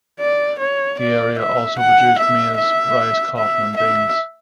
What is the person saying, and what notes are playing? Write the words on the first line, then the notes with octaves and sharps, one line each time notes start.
The area also produced maize, rice, cotton, and beans.
D5
C#5
D5
E5
F#5
E5
E5
E5
E5